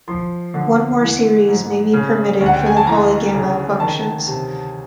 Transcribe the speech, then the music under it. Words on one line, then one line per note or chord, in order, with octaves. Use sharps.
One more series may be permitted for the polygamma functions.
F3 C6
D3
E3
G#2
C#3
D2
F#5
G5
G#5
A5
E3 A#5
C#3
D#3 A5
C3